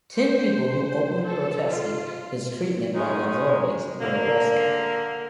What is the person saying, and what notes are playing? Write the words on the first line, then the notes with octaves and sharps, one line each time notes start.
Ten people who openly protested his treatment by the authorities were arrested.
C5
A4
F4
D#3 F#3 G#3 C#4 D#4
D3 A#3